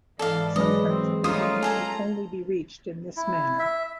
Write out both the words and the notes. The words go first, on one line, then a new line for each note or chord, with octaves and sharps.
Some parts of the game can only be reached in this manner.
G#2 E3 A4 D5 D#5 F5
F#3 G#3 B4 D#5
C4
G3 A3 C#4 D#4 F4 C5 D#6
G#4 A4 G#5 A#5
E4
E5